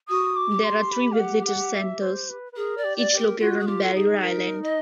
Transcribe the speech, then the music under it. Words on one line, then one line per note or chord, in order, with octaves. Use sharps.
There are three visitor centers, each located on a barrier island.
F#4 D#6
D6
G4
C6
B5
F5
F#5
F#5
E5
C5
B4
B4
G#4 A#4
D5
G4
D5
G4
A#4
F4 F#4
G#4
F4 G4
A4
D#4 G#4
A#4
D#5